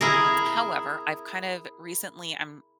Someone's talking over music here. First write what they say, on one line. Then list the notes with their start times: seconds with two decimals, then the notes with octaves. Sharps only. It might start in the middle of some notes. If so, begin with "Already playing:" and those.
however, I've, kind of, recently I'm
0.01 E4 G#4 A#4